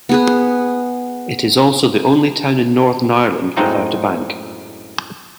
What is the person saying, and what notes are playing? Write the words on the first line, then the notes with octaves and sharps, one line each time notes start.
It is also the only town in Northern Ireland without a bank.
B3 G#4 B4
F#2 A2 G#3 C4 D#4 F4